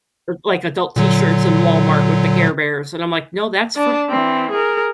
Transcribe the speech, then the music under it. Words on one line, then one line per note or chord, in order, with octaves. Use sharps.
like, adult t-shirts in Walmart with the Care Bears, and I'm like, "No, that's for
A#2 D3 F#3
D4 A5
E3 C4
G#4 A#4